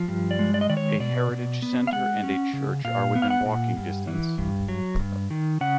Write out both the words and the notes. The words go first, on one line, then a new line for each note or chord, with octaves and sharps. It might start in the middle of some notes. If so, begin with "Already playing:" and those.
A heritage centre and a church are within walking distance.
Already playing: F3
G2
D5
G#3
D5
D#5
D#3 D5
C#5
B2 D5
B2
B3
F5
G#3 F#5
C#4
C#3
A#2 F5
B3
F5
F#5
A#2
G2
E3
G2
F#3
G2
D#3
C#3 F#5